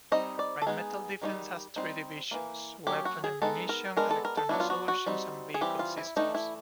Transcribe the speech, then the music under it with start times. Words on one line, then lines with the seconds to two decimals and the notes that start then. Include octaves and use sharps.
Rheinmetall Defence has three divisions: Weapon and Munition, Electronic Solutions, and Vehicle Systems.
0.12 G3 C4 D#4 D#5
0.39 D5
0.62 A4
0.67 G#3 B3 D#4 G#4
1.22 D#3 G3 C4 D#4
1.76 G3 C4 D#4
2.31 E3 G3 A#3
2.87 F#3 A#3 C#4 G4
3.05 F#4
3.24 G#4
3.42 G#3 B3 D#4 A4
3.69 A#4
3.97 G#3 B3 D4 A#4
4.11 A4
4.25 A#4
4.37 A4
4.49 F#3 B3 D4 E4
4.60 F4
4.70 F#4
4.88 F#4
5.06 G3 C4 D#4
5.54 G#4
5.61 E3 G3 C4 G4
5.79 F4
5.98 E4
6.16 E3 A3 D4 D#4
6.35 E4